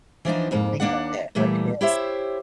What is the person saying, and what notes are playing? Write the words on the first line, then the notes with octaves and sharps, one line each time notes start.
Can't think of it, what it is.
E3 F3 D4 D#4
F2 G#2 A#3
D#2 A#3 D4 D5 F#5
A#2 E3 G3 A3
E4 G4 C5 C#5 E5